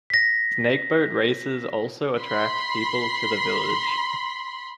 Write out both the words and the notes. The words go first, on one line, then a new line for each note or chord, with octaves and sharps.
Snakeboat races also attract people to the village.
A#6 B6
B5 C6